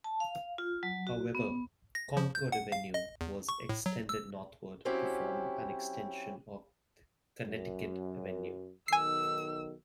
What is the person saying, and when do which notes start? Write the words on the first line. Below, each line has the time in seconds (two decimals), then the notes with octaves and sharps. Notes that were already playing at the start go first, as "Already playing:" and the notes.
However, Concord Avenue was extended northward to form an extension of Connecticut Avenue.
0.04 A5
0.20 F5
0.58 F4
0.83 F#3
1.07 F#4
1.35 B3
1.95 A#6
2.17 F3
2.35 G6
2.52 F#5
2.72 F5
2.94 D#5
3.21 E2
3.49 C#6
3.69 A2
3.86 F#3
4.09 E6
4.85 F#3 C4 C#4 E4 G4
7.43 F#2
8.88 B1 D#3 G#5 E6 C7